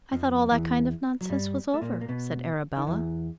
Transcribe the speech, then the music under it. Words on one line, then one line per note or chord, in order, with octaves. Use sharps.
"I thought all that kind of nonsense was over," said Arabella.
F2 F3
E2 E3
F#3
G2 G3
A3
A#2 A#3
A#3
B2 B3
D#3
E2 E3